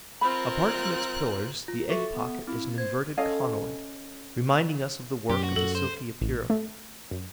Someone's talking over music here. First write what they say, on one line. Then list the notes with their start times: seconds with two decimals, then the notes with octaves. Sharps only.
Apart from its pillars, the egg-pocket is an inverted conoid, reminding us of the work of the Silky Epeira.
0.21 C4 F4 A#4 B5 F#6
1.68 F4
1.90 F#4 A4 E5
2.15 B3
2.47 C4 E4
2.78 C5 G#6
3.17 C#4 A4 D#5 F5
5.30 F#2 G4
5.43 F#4
5.56 F#2 A4 F#7
5.75 C5
6.21 A1
6.50 A3
7.11 F#2